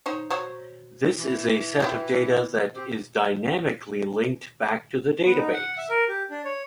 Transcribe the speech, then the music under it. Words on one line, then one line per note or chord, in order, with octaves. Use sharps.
This is a set of data that is dynamically linked back to the database.
D#4 C5 C#5
F#3 C5 C#5
E3
E4 F#4 G4
C4 G4
B3
D#4
F#5
E5
A#4
G4
D4
C#5